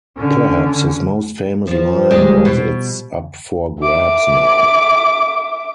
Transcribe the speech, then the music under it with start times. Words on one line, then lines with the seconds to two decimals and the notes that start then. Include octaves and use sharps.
Perhaps his most famous line was it's up for grabs now!
0.16 D3 C#4
1.67 F3
2.11 G3 G#3
2.45 B2
3.79 E5 D6